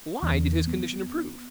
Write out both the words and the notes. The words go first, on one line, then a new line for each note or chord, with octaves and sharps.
Why did his condition improve?
E2
B3